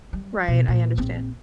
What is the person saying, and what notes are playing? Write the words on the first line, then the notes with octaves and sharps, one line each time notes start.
Right. I understand.
G3
B2
A#2
A#1 C4